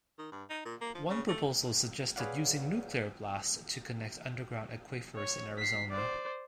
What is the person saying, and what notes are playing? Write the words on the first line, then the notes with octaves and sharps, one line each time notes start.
One proposal suggested using nuclear blasts to connect underground aquifers in Arizona.
D#3
G2
D#4
A#2
A#3
F3
C#3
A3
G#4 B4 C#5 D5 F5 F#5
C#5
B6 C7
C5 D5